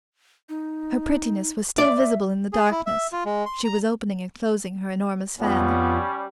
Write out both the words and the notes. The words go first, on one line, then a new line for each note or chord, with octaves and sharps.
Her prettiness was still visible in the darkness; she was opening and closing her enormous fan.
D#4
D5 E5
E5
G#4
E4
E5
F4
G#3
C6
A#5
F2 G3 B3 C#4 F4